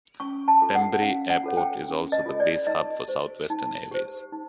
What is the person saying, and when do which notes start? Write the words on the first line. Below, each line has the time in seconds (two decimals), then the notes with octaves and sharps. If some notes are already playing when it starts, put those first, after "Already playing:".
Pembrey Airport is also the base hub for South Western Airways.
0.20 C#4 C#6
0.48 A5
0.62 F4 A4 C#5
0.75 F#5
1.02 C#4 F5
1.30 F#5
1.44 F4 A4 C#5
1.57 G5
1.84 C#4
2.12 D#5
2.26 F4 A4 C#5
2.40 D5
2.67 D#4 D#5
3.08 G4 C5
3.50 D#4
3.91 G4 C5
4.32 D#4